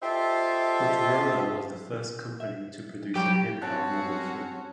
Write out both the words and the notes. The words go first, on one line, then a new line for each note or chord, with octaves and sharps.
Motorola was the first company to produce a handheld mobile phone.
F4 G4 A4 C5 D#5 E5
E5
F#3 G3 F#4 G4
C4 C#4 F#4 C#5 F#5 A5